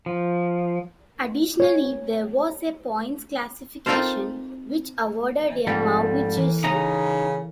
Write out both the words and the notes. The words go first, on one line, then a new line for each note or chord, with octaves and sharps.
Additionally, there was a points classification, which awarded a mauve jersey.
F3
C#5
C4 D#4 F4 A4 A#4 C5
F2 G#2 G3 A4
E3 A#3
C#3 D#4 A#5